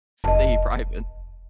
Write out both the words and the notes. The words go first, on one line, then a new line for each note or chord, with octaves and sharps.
stay private.
F1 D#5 A5